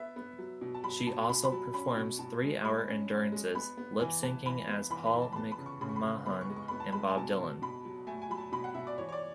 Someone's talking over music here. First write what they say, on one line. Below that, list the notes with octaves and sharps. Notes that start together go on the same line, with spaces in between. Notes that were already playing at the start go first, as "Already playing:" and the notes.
She also performs three-hour endurances, lip-syncing as Paul McMahon and Bob Dylan.
Already playing: B3 E5
B3
F#3
B2
A5
F#3 B5
B2 A5
B2 B5
B5
F#3
C#4 B5
B2
B2 A5
G#3
G#3 B5
C#4
C#4
G#3
B3 B5
B3
E3 G#5
B3 A5
E3 B5
B3
E3 B5
B5
E3
A5
B5
B3 A5
B5
C#3
C#6
C#3 B5
C#6
B5
C#3
B3 B5
C#6
G#3
C#6
B3 B5
A5
G#3 B5
G#5
B2 A5
B2
B2 B5
F#3
A3 G#5
G#5
F#3 B5
A5
B2 B5
F#5
B2 E5
D5
E3 C#5
C#5
D5